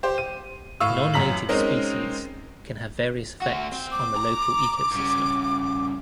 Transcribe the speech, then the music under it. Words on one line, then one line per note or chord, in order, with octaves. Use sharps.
Non-native species can have various effects on the local ecosystem.
G4 C5
D#7
A2 F5 C#6 E6
A1 F#2 A#5 B6 F#7
G#3 C4 C#4 D#4 A#4
A3 F#4
C4
D6
A#5
G2 C#3